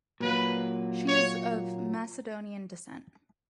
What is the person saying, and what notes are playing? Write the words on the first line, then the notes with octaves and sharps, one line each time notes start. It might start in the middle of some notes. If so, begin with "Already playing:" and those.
She is of Macedonian descent.
A#2 F#3 A#3 B4
C#5